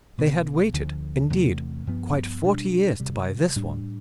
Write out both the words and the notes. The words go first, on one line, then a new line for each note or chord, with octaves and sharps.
They had waited, indeed, quite forty years to buy this one.
C2 B2 B3
D2 D3 F3
E2 C3 E3 A3
G2 F3 B3
B2 G3 D4
D2 C3 G3
A2 G3 D4